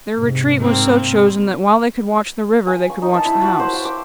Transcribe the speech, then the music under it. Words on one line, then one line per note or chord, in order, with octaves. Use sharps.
Their retreat was so chosen that while they could watch the river, they could watch the house.
G#2 C3
A#3 C4
G#5
C#6
D#4
A5
E4
F#4
C5
G5
D6